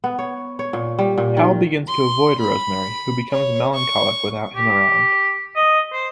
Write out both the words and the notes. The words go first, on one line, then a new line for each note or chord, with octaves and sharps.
Hal begins to avoid Rosemary, who becomes melancholic without him around.
B3
C#5
C#5
A#2
G3
A#2
D#3
C6
B5
C#5
C#6
G4
D#5
C5